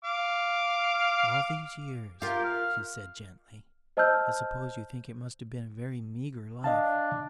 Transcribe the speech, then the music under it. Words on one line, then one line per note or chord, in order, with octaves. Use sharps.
"All these years," she said gently, "I suppose you think it must have been a very meagre life?"
F5 D6
F4 G4 A#4
F5
C5 D#5 A5 E6 F6 G6
D4 D#5 F5 A5